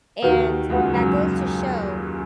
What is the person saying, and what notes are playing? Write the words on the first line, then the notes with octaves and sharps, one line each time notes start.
and that goes to show,
D#2 D#3 F#4 B4 F#5
C#2 C#3 F#4 B4 F#5
F#2 F#3